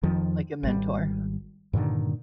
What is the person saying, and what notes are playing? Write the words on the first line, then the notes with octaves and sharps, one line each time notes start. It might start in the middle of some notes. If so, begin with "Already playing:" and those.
Like a mentor.
F2 D#3 F3
G#1 G3
G2 A#2 D3 D#3